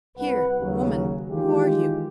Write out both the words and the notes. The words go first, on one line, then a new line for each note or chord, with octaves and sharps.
Here! woman, who are you?
C2 B4 F#5
D#2 C#3 F#3
D#3 E3 G#3 F4 G4